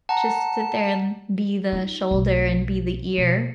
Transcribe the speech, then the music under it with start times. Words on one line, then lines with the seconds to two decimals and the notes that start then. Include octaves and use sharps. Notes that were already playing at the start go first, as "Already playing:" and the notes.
just sit there and be the shoulder and be the ear.
0.09 F#5 A5 A#5
1.72 D#4 F4
2.11 B1 A3
3.18 B2